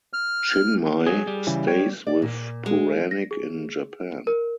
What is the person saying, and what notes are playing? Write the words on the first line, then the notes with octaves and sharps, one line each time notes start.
Chinmay stays with Puranik in Japan.
F6
F#3 G#4
G3
C#3 E3
C#5 G5
D5
A#2
G#3
A#6
G#4
A#4